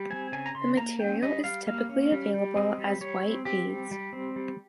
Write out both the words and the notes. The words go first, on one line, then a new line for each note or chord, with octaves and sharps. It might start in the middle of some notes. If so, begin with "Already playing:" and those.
The material is typically available as white beads.
Already playing: G3
C4 G#5
C#3 G#5
A#5
C#3 C6
A#3 A#5
C#4 G5
G3 D#5
G3 F5
A#3 F5
C#4
G3
G3
C4 D#5
G3
G3 C#5
C4
C4 G4
G3
G3
C4
G3